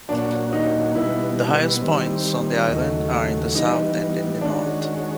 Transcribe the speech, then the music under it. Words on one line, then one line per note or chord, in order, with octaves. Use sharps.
The highest points on the island are in the south and in the north.
A#2 F#3 A#3 C#4 D4 F#4
D#4
B2 G3 B3 E4
D#3 G3 C4
D#2 C#3 F#3 A3 D#4
E3 G3 B3 D#4
D#3 G#3 C#4 D4 F#4